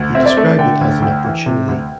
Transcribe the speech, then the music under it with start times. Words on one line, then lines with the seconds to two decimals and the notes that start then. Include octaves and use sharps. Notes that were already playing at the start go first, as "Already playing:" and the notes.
He described it as an opportunity.
Already playing: D2
0.15 C4 E5
0.26 D5
0.37 A3 E5
0.59 D3 G5
0.81 D2
1.02 D2 G5
1.24 E3
1.46 C3
1.68 D2